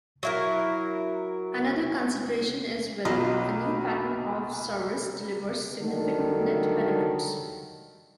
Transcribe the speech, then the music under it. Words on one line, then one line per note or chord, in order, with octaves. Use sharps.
Another consideration is whether a new pattern of service delivers significant net benefits.
F#3 E4 A#4
B1 F4 B4 C5 D#5 A#5 B5
D3 D#3 F#3 G3 F#4 A4